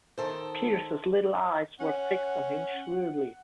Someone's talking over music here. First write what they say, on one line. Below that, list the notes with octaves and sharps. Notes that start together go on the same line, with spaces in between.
Pearce's little eyes were fixed on him shrewdly.
D#3 A4 C5
C#4 F#5